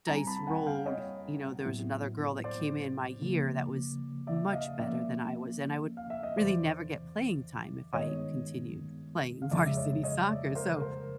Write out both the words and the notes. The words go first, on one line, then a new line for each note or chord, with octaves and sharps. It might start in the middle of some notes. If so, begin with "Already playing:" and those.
dice rolled, you know, there was another girl that came in my year that was much better than I was, and I would really never get playing time if I continued playing varsity soccer, so
G3 C4 E4 G#5 A#5
A5 B5
F#5 G#5
F5 G5
C#5 D#5
A2 F#3 B3 E4
C5 D5
C#3 F3 A#3
D5 E5
D#5 F5
F3 A#3 C#4 D5 E5
F5
E5
D#5
E2 C3 E3 C5 D5
G2 D#3 G#3 B3 C#5 D#5
F5
F2 C#3 F3 G#3 D5 E5
E5
C#5 D#5
C#5 D#5
D5 E5
A#4 C5
A#4 C5